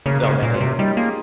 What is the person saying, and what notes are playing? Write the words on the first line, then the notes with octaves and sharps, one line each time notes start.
So many.
C#3 A#3 C#4
C#3
A#3 C#4
A#2
C#4 F4
C3
G3 D#4 G4
A#3 F4 G#4